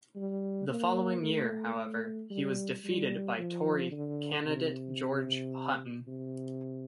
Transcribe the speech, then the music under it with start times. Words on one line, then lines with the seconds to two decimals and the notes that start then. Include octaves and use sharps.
The following year, however, he was defeated by Tory candidate George Hutton.
0.16 G3
0.69 A#3
1.23 A3
1.76 A3
2.30 G3
2.84 G3
3.38 F3
3.92 D3
4.45 C3
6.08 C3